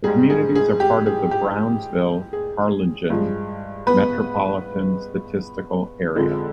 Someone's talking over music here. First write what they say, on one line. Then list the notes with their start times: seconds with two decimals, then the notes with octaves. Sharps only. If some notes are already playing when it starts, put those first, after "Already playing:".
The communities are part of the Brownsville-Harlingen Metropolitan Statistical Area.
0.04 G#2 G3 G#4
0.30 G#4
0.55 G#4
0.80 G4
1.06 G#4
1.31 G4
2.33 G#4
3.10 G2 F3 G#3
3.87 B3 B4
6.16 F2 D3 F3 G#3